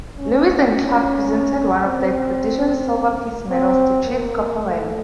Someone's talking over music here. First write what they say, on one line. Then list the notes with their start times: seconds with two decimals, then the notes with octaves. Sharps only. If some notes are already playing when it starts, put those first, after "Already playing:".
Lewis and Clark presented one of the expedition's silver peace medals to Chief Kepowhan.
0.19 C#4
0.74 C#4
1.85 C4
3.50 C4
4.06 A#3
4.61 A3